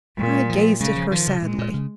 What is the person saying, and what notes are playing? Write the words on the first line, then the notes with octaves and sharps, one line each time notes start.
I gazed at her sadly.
A#2 G#3
F3
C#3 G#3
F3
D#3 F3
C#3
A#2 G#3
A#2
C#3